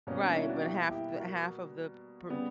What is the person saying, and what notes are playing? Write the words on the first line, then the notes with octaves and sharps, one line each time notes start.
Right, but half the half of the per
B2 G3 A#3 C#4
D4
C#4 E4
D4 F#4
E4 G4
E4 G4
F#4 A#4
C#3 G3 B3